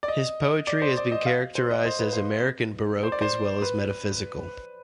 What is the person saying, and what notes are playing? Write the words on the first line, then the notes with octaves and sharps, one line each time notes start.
His poetry has been characterized as "American Baroque" as well as Metaphysical.
D5
D#5
D5
C5
D5
D#5
F5
C5
D#5
C5
B4
C5
C5
D5
C5
B4